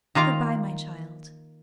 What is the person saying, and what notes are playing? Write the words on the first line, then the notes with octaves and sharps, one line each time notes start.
"Good-bye, my child."
D#3 A#3 F4 F5 A#5